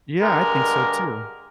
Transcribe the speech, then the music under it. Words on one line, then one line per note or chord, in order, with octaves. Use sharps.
Yeah, I think so too.
G2 D3 G#3 G4 A#4